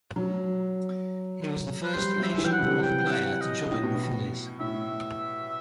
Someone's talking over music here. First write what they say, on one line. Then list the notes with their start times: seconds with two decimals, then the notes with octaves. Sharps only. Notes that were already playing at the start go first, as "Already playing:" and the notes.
He was the first Asian-born player to join the Phillies.
0.16 F#3
1.83 B4
1.93 G3 C5
2.16 F#3
2.23 E5
2.38 E3
2.45 G5
2.52 F#5
2.60 C3
2.83 G5
3.11 F#5
3.41 D#5
3.71 A2
3.83 B2
3.95 A2
4.60 A2 E5